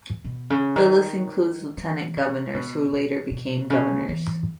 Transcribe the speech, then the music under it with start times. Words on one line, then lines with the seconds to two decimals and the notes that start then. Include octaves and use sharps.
The list includes lieutenant governors who later became governors.
0.24 B2
0.50 C#3
0.76 D#3
1.77 E3
2.17 C#3
2.54 B2
2.93 B2
3.31 B2
3.70 C#3
4.09 E3